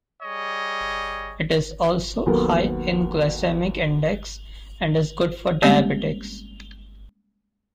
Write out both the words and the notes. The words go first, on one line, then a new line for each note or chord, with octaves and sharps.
It is also high in glycemic index and is good for diabetics.
G3 G#4 C#5 D#5
D#2 F#3 B3 A4 A#4
G3 G#3 A#3 C4 C#4 G4